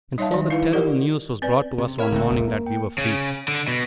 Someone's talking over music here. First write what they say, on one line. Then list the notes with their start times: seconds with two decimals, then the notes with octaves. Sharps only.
And so the terrible news was brought to us one morning that we were free.
0.18 G3 D#4 C#5 E5 F5 A5
0.31 D#3 D5
0.50 D#4 E4 B4 F5
0.73 F4 G4 A#4 D5 D#5 F#5
1.42 C4 B4 D5
1.78 C3
1.98 E4 A#4 C#5 F5 F6
2.12 D1 D3 A3 C4
2.30 F1 C#2
2.48 A#3
2.66 G5
2.98 C#3
3.48 D3
3.68 B2